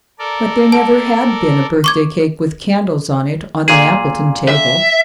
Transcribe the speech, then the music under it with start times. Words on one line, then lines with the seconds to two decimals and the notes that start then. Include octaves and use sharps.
But there never had been a birthday cake with candles on it on the Appleton table.
0.19 A4 A#4 D5
0.72 A5
1.84 C#6 D6 G#6
3.68 A#2 G#4
4.48 E5